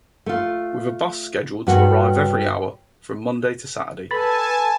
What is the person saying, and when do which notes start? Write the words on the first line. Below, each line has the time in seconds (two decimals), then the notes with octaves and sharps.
With a bus scheduled to arrive every hour from Monday to Saturday.
0.26 A3 F4
1.67 G2 F#4 G4 C#5
4.11 A4 B4 G#5 A5 B5 A6